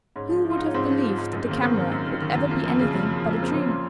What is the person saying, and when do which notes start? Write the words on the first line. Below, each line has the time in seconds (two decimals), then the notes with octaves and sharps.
Who would have believed that the camera would ever be anything but a dream?
0.16 G#2 C#4
0.30 F3
0.45 F3
0.50 F4
0.57 G#2 D#4
0.66 C#4
0.74 G#2 C4
0.89 F3
1.04 F3
1.18 G#2
1.33 F#2
1.48 D#3 A#3
1.62 D#3 C4
1.77 F#2
1.92 F#2
2.07 D#3
2.21 D#3
2.35 F#2
2.50 F3 A#3
2.66 F2
2.80 C#3
2.94 F2
3.10 F3
3.24 F2
3.31 A#3
3.39 C#3 C4
3.54 F2 C#4
3.68 A#2